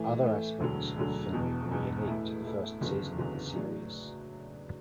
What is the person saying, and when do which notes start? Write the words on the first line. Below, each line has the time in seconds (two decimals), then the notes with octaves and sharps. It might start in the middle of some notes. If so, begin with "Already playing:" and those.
Other aspects of filming were unique to the first season of the series.
Already playing: A2 E3 A3
0.23 A2 E3 A3
0.60 E1 D2 D3 F#3
0.96 E1 D2 D3 F#3
1.33 E1 E2 B2
1.71 E1 E2 B2
2.07 A2 A3 E4
2.44 A2 A3 E4
2.81 F#1 E2 D3 F#3
3.18 F#1 E2 D3 F#3
3.55 A2 F#3 D4